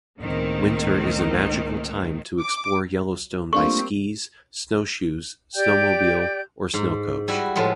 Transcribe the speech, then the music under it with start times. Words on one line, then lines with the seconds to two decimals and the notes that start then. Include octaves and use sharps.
Winter is a magical time to explore Yellowstone by skis, snowshoes, snowmobile, or snowcoach.
0.19 C#2 A2 D#3 A#3 C4
2.39 D6
3.53 G3 A3 A#3 C4 D4 F4 C#6
5.55 G4 D5 G5 G6
6.74 G#2
7.28 G3 E4 F#4
7.56 A2 F3 G#3 B3